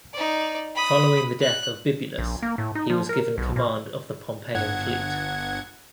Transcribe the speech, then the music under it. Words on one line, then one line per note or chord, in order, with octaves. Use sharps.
Following the death of Bibulus he was given command of the Pompeian fleet.
D#4 D5
B5 D#6
F#6
A#1
A#3
A2
D#4
F3
A#4
B1
A#2
G1 F#5 G#6